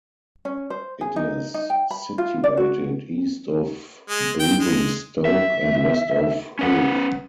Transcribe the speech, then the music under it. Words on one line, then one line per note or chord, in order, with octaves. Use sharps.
It is situated east of Basingstoke, and west of Hook.
C#4
C5
G#4
D#4
D#4
G5
B5
F4
D5
F#4
G#3
G5
G#3
E5
C#4 B4 F#5